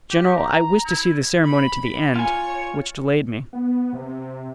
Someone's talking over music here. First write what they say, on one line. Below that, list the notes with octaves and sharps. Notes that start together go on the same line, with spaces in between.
"General, I wished to see the ceremony to the end, which delayed me."
G4
A#5
E4
B5
F4 C#5 G#5 C#6
B3
C3